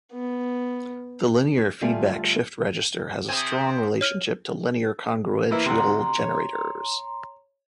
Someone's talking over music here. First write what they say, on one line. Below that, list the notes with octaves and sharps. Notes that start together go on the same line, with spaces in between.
The linear feedback shift register has a strong relationship to linear congruential generators.
B3
D2 G3 A3 F4 D5 G#5
C3 C4 G#5 D#6
C#5 F6 D#7
E3 A#3 E4
D2 C3 A#5 C6
C#5